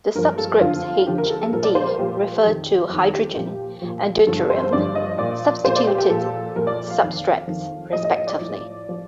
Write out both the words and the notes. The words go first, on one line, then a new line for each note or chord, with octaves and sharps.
The subscripts H and D refer to hydrogen and deuterium substituted substrates, respectively.
G2 F3 A#4
A4
F2 D3 F3 F4
F2 D3 F3 G4
A#4
A4
A4
A#2 F3 A#4
D5
C5
A#4
A#2 F3 G4
F2 D#3
F2 D#3
G4
A#2 F3
A#2 F3
G2 D3 F3 A4
C5
G2 D3 F3 D5
D#5
A#2 F3 D5
A#2 F3 C5
D5
G4
G4
A#2 F3 A4
A#2 F3 A#4
D5
F5
F2 D#3
F2 D#3
A2 F3 D#5
D#5
D#5
D5
A2 F3
F3